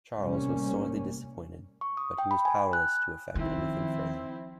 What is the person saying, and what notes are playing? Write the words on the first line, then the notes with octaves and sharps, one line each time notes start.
Charles was sorely disappointed, but he was powerless to effect anything further.
A1 C3 G3 A#3 C#4
C#6
D#6
G5
B5
G#5
F#6
D#3 F3 C4 E4